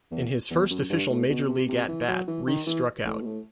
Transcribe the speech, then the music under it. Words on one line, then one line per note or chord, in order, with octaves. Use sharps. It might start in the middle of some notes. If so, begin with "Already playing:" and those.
In his first official major league at-bat, Reese struck out.
E2
E2
F#2
G2
A2
B2
C3
C3
E3
F#3
E3
D#3
E3
A2
B2
A2